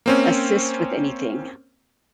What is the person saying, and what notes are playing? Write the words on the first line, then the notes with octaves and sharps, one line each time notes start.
assist with anything?
A#3 C4 C#4